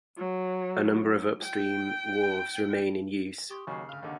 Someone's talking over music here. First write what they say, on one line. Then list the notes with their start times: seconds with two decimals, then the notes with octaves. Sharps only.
A number of upstream wharves remain in use.
0.17 F#3
1.43 G5
3.50 G4 C6 C#6 D#6
3.67 D#2 C#3 F#3 G#5 C#6 C7
3.89 D2 F5 F6
4.03 D#2 D3 F#5